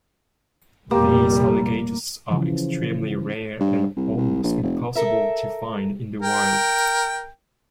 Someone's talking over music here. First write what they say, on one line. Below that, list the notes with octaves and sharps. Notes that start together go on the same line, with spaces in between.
These alligators are extremely rare and almost impossible to find in the wild.
F1 A#2 G3 A#3 G4
C#3 E3 F3
G2
C2
C2
A#1
F1
A4 A#4 E5
A#4 G5